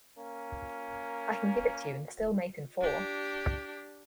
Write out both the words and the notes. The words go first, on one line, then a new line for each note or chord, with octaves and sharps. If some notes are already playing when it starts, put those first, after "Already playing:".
I can give it to you and still mate in four!
A#3 C#4 A#4
D4 G4